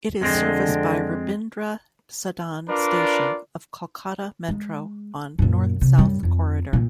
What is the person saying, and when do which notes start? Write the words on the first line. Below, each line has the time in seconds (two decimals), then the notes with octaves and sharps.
It is service by Rabindra Sadan station of Kolkata Metro on North South Corridor.
0.21 F2 D3 G#3 C4
2.69 D4 F4 A#4 B4 D5
4.49 G#3
5.39 F#2 A#2
5.81 C3
5.98 F#2 G3
6.23 F2
6.73 A#2